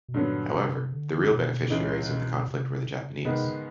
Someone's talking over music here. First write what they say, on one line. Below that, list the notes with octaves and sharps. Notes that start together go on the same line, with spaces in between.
However, the real beneficiaries of the conflict were the Japanese.
B2
G2 A#2 D3 F#3 B3
C3
D3
B2
C#2 A#2 C#3 E3 G#3
B2
C3
C#3
G#2 C3 D#3 G#3 B3
C#3